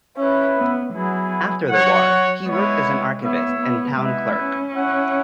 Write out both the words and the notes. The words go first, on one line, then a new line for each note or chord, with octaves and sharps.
After the war, he worked as an archivist and town clerk.
C#4 E4 B4 E5
B3
F#3 B3 E4 G#4 B4
F#3 F#4 C#5 F#5
G#3 B3 E4 C#5
B3 E4 C#5 E5
B3
G#3 B3 E4 B4 E5
C#4
E4 C#5 F#5